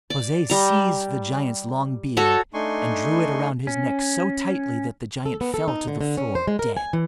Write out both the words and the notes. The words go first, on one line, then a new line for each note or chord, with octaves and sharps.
Jose seized the giant's long beard and drew it around his neck so tightly that the giant fell to the floor dead.
D5
G3 A#5
F#4 A4 C#5 F#5
A3 D4 D#4 G#5 C6 C#6
C#4
A4
B3
A4
D#4
D3
D3
C#4
C5
G#3
A#4
G#5
E3